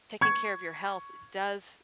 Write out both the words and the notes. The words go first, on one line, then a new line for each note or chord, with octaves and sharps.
taking care of your health does
C#6 G#6